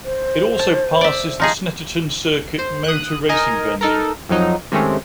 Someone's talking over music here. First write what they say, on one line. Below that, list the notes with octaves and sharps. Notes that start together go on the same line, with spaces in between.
It also passes the Snetterton Circuit motor racing venue.
C5
A5
D5 E5
F3 D#4 G#4
C5
D#6 F#6
D#4 A#4 D#5 G#5
D#4 A4 A#4
F2 F3 F#3 D#4
C3 D#3 G#3 A3 C4 C#4